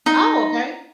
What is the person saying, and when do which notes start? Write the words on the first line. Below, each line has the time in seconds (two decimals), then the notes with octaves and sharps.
Oh, okay,
0.06 D#4